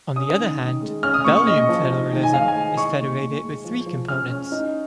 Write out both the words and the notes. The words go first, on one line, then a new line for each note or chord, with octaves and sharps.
On the other hand, Belgian federalism is federated with three components.
C#4 D#6
D#3
D#3
G#3
C#4 F6
D#6
A#2 C#6
C#6
A#2 D#5
F3
D#4
D#3
G#5
D#3 F5
G#5
G#3
D#4 C#6
A#2
A#2
G#3
F3
F3
C#4 F6
C#4
D#4